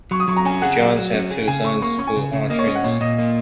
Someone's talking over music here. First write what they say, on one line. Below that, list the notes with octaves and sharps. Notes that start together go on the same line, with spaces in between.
The Johns have two sons, who are twins.
F#3 C#6
D#6
F#3 C#6
A#5
C#4 G#5
G#4 F#5
F#3
F#3
C#4
G#4
C#3 G#5
C#3 C#6
A#3 C#6
C#4 C#6
G#5
C#3
C#3
A#3 D#5
C#5
C#4 D#5
F#5
A#2 C#5
A#2 D#5
A#3 D#5